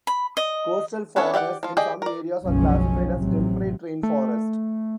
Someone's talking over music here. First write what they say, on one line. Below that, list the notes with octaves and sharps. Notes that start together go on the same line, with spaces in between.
Coastal forests in some areas are classified as temperate rain forest.
B5
D#5
B3 C#4 D4 A4 C#5
G4 D5 E5 F#5
F3 F4
G4 G#4 D5 D#5 G5
A#4 D5
F#1 B1 F3 F#3 G#3 C#4
A1 C3 F#3
A3